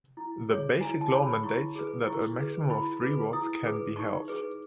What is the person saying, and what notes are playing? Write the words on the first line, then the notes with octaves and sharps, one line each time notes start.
The Basic Law mandates that a maximum of three votes can be held.
E4
G#4 C#5
E4 G#5
A5
G#4 C#5
B5
E4 C#6
G#4 B4
E4 C#6
G#4 B4
E4 B5
G#4 B4
E4 D#6
G#4 B4
D#4 C#6
G#4 B4